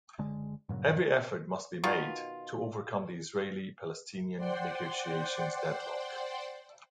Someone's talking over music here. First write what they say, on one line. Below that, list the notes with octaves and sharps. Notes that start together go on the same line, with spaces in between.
Every effort must be made to overcome the Israeli-Palestinian negotiations deadlock.
F#1 D3 G#3
G2 A#2 C#3 F#3
B2 D#3 F4
C5 D5 F#5 G5 C6